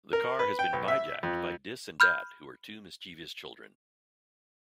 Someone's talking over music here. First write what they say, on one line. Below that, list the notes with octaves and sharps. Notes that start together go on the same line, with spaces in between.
The car has been bijacked by "Dis" and "Dat", who are two mischievous children.
A#4
B4
G5
B1
E5
F2
B5 F6 G6